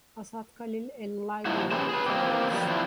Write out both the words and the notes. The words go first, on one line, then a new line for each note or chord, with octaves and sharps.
Asad Khalil, a Libyan terrorist.
A#2 F3 G#3 D#4 E4 F#4
C4 C#4 G4 G#4 B4 C5
G#4 B4
A#3 C4 G4
B2 D#3 F3 G3
F3 C4 D4 E4 F4